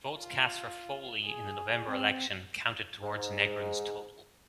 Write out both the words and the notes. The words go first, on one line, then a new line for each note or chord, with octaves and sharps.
Votes cast for Foley in the November election counted towards Negron's total.
F4
G#4
C4
G#2